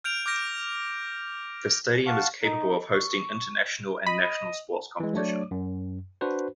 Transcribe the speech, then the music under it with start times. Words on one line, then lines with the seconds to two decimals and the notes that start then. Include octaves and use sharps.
The stadium is capable of hosting international and national sports competition.
0.04 F6 G6 D7 F7
0.26 D6 F6 G6 A#6 D7
2.07 F5 F#5 A5 C#6
2.43 D#4
2.93 C#6
4.07 D#5 B5
5.00 E3 G#3
5.13 F#3 A3 D4 C#5 D5
5.51 F#2
6.21 D4 F#4 B4 C5